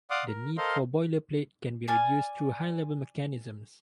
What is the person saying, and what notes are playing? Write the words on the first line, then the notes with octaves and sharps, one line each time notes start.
The need for boilerplate can be reduced through high-level mechanisms.
D5 F5 F#5 C6 D6 D#6
A#4
A4 A#4 C5 D#5 F5 C6
D5 G#5 F6